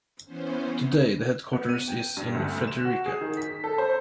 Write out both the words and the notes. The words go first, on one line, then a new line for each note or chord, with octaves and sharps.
Today the headquarters is in Fredericia.
E3 B3 C#4 C5
B3
D#7
G5
G2
D2
E7
F#4
G#4
D#3
B6
A4
C5